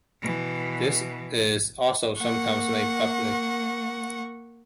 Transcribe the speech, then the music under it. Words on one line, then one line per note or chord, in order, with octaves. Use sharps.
This is also sometimes made public.
B2 E3
A#3 F#5 C#6